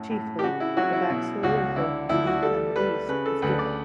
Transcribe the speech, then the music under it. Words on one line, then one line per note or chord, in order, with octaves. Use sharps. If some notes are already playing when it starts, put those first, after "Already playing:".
Chiefly, the backstory of both Beauty and the Beast is given.
Already playing: F#2 A2
A2
G4
C#3 F#4
E4
F#3 F#4
E4
B2 E4
C#2 F#4
D3 E4
D2 E4
F#4
G3 A4
G3 B4
C#3 B4
A4
D2 B4
D5